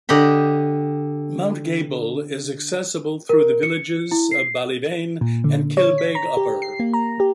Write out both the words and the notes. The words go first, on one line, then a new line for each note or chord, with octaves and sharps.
Mount Gable is accessible through the villages of Ballyveane and Kilbeg Upper.
D3 G4 D#5 B5
A#4
C#7
E4
C7
A#2
D3
C#5
B6
A#5
G4
C7
A#3
A#5
G4